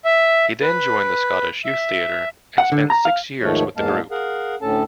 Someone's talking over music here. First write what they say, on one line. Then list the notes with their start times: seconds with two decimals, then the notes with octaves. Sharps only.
He then joined the Scottish Youth Theatre and spent six years with the group.
0.05 E5
0.62 B4
1.65 E5
2.58 F#5
2.72 D3
2.90 A#5
3.05 F5
3.42 D#2 G#2 D#3 F3 A3 C#5
3.77 E2 G#2 G#3 A#3 F5 A5
4.11 G#4 A#4 F5 F#5
4.61 D2 A2 C#4 A4 A5